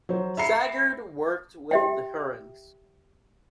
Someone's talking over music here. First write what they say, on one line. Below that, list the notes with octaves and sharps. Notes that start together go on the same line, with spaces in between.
Sagard worked with the Hurons.
F#3 C5
E5 A#5 B5 C7 C#7
G4 E5 G5